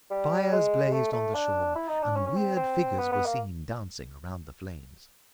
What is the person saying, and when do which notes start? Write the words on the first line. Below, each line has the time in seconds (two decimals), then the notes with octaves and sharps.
Fires blazed on the shore and weird figures were seen dancing around the flames.
0.10 G3
0.52 G#3
0.93 A3
1.13 A3
1.34 D4
1.75 E4
1.88 D#4
2.02 D4
2.16 C#4
2.26 C#4
2.37 C4
2.57 C4
2.98 B3
3.12 B3
3.25 A#3